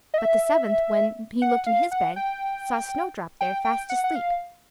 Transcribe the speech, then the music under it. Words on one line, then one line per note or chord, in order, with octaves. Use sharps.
But the seventh, when he looked in his bed, saw Snowdrop there, fast asleep.
D#5
E5
F#5
F5
F#5
G5
G5
G5
F#5
F#5
F5